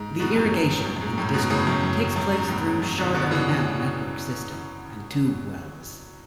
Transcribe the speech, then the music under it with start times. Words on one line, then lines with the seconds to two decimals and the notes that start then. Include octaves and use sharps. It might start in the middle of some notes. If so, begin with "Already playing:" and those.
The irrigation in the district takes place through Sharda Canal network system and tubewells.
Already playing: G#2
0.19 G#2 B2
0.35 F#2 A2
0.53 F#2
0.68 G#2
0.85 F#2
0.96 F#2
1.01 G#2
1.18 F#2 A2
1.34 G#2 B2
1.50 A2 C#3
1.67 F#2
1.83 F#2
2.00 G#2
2.16 F#2
2.32 G#2
2.45 B2
2.49 F#2 A2
2.65 G#2
2.82 F#2
2.98 B2 D3
3.14 B2 D3
3.31 C#3 E3